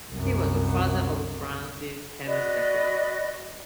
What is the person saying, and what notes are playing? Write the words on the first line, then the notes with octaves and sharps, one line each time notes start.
He was the father of Frans Hemsterhuis.
C2 F#2
F#4 B4 D5 D#5